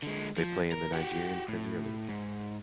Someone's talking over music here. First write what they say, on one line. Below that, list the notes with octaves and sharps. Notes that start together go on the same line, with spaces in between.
They play in the Nigerian Premier League.
D3 G#3
F3
A#4
F#4 G4
A2
G#2